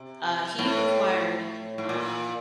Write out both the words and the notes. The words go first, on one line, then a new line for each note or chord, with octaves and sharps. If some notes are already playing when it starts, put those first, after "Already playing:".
uh, he required, um,
Already playing: C3
A2
A2
A#2